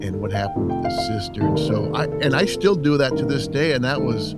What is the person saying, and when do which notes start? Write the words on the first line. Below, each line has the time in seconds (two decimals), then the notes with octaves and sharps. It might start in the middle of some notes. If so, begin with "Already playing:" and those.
and what happened with his sister, and so, I and I still do that to this day, and that was
Already playing: D#2 D3 A3 D#4
0.13 A4
0.24 A#4
0.34 F5
0.45 G5
0.56 F2 C3 D#3 A3
0.69 G5
0.84 F5
0.98 F5
1.41 F1 D#2 D#3 A3 A5
1.55 A#4
1.69 C5
1.84 A4
1.98 A4
2.12 A4
2.26 A#2 F3 C4 A#4
2.41 A#4
2.54 A4
3.11 A1 G2 D#3 A#4
3.96 G2 D#3 A3 A4
4.10 A4